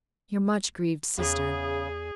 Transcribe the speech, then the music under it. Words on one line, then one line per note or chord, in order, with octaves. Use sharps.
'Your much grieved sister.'
E2 C#3 G#4